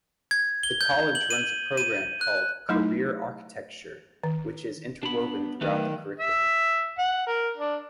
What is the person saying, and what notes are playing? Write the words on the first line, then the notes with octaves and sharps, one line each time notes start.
The College runs a program called "Career Architecture", which is interwoven throughout the curriculum.
G#6
G7
G6
F#7
D#7
D#7
F#6
F#3 A3 D#4 E4
D#3
B3 D4 B5
D#3 F#3 A3 B4
E5
F#5
A#4
D4